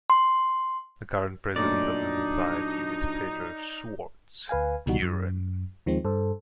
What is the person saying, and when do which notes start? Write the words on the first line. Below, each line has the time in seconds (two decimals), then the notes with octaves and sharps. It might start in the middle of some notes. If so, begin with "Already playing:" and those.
The current president of the Society is Pedro Schwartz Giron.
0.10 C6
1.56 A#2 F#3 A3 D4 D#4 D5
4.49 D2 B4 F5 G#5
4.86 C#2 B2 E3 G3 D#4 F#4
5.02 F#2
5.86 D#2 D#3 F3 G#3 C4
6.05 G2 A4 C5